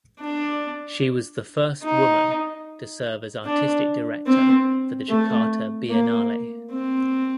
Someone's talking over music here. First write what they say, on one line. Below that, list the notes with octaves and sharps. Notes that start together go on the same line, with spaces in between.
She was the first woman to serve as artistic director for the Jakarta Biennale.
D4
D#4
D4
C4
A3
A#3
C4